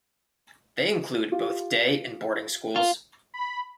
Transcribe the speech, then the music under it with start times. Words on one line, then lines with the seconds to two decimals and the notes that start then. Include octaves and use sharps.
They include both day and boarding schools.
1.32 F4 G4
2.76 F4
3.34 B5